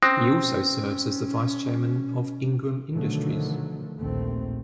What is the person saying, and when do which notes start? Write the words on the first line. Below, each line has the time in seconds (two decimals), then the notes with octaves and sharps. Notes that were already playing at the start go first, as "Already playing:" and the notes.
He also serves as the Vice Chairman of Ingram Industries.
0.03 C4 C#4 D#6 F#6 A#6
2.93 B2 D3 D#3 F3 F#3 A3
3.98 A#1 D#2 A3 C4